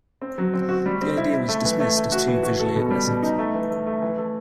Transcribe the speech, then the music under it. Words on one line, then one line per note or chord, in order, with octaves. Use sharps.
The idea was dismissed as too visually aggressive.
C4
F#3
C4
F#4
G3
C4
E4
E4
A3
E3
A3
A3
F#4
E3
F#4
A4
B2
G3
B2
D#4
A3
E3
A3
A3
E3
A3